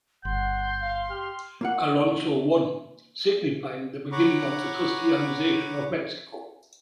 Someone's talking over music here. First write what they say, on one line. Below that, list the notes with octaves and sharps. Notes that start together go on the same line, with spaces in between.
Alonso won, signifying the beginning of the Christianization of Mexico.
G1 F#5 C6 G6
F5
G4 F6
A#3 F4 F#5
C#5 F#5 A#5 B5 C#6 D6